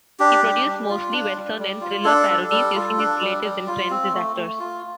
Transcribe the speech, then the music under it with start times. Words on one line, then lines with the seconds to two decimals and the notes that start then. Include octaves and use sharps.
He produced mostly western and thriller parodies, using his relatives and friends as actors.
0.20 D4 G4
0.43 G3
0.66 G3
0.89 F4
1.12 D4
1.35 G3
1.59 G3
1.81 F4
2.04 D4 A4
2.28 G3
2.50 G3
2.75 F4
2.98 D4
3.21 G3
3.44 G3
3.67 F4
3.90 C4
4.13 A3
4.36 A3
4.60 F4